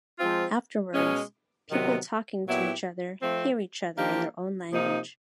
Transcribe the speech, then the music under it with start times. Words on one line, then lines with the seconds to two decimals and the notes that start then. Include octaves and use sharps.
Afterwards, people talking to each other hear each other in their own language.
0.19 F3 G#3 C4 F4
0.94 B2 G#3 C#4
1.71 C3 D#3 F#3 B3
2.46 A#2 F#3 B3 E4 G4
3.21 F3 A3 C4
3.97 F3 A#3 D4 G4
4.72 C3 F3 A#3 D#4